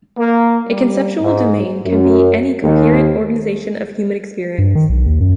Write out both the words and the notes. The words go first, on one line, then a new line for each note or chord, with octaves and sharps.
A conceptual domain can be any coherent organization of human experience.
A#3
G3
G#2
F#2
D#2
G2
D#3
B1
D#2
F#2